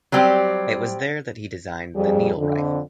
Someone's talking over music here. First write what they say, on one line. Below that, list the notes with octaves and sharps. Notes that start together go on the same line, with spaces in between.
It was there that he designed the needle rifle.
F#3 G3 C4 G4
F2 G3 G#4
F2 D3